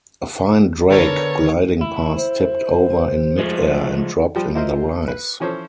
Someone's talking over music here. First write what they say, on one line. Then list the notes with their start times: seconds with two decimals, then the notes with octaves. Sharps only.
A fine drake gliding past tipped over in midair and dropped in the rice.
0.90 D3 B3 A4 A#4 C#5 A6
1.81 E4
2.17 C5
3.38 F3 G#3 A3
4.36 F3 G3 G5
4.55 E4 F4 A#4 C5 D#5
5.08 B4
5.40 E3 F3 C#4 A4 C5